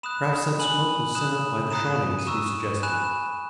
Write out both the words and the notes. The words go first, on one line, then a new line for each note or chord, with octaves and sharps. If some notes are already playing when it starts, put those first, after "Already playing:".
"Perhaps that smoke was sent up by the Shawnees," he suggested.
B5 D#6 F#6 E7
G#5 B5 F#6 F#7
B5 D#6 F#6 E7
A#5 D#6 F#6 E7
D#7
A#5 C#6 E6 E7
G#5 B5 F#6 E7